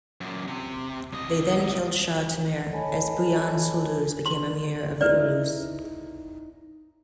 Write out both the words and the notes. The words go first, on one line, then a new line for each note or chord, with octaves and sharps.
They then killed Shah Temur, as Buyan Suldus became amir of the "ulus".
F#2 A#2
C3
C2 D#5
A4 C#5 D#5 G#5 A5 B5
C6
D#4 E4 B4 D5 D#5